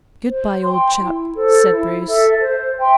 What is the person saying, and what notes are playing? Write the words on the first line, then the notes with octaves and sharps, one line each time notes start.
"Good-bye, old chap," said Bruce.
C5
G5 C6
E4
A4 C5
E4
A4 E5
C5
E5 G5 C6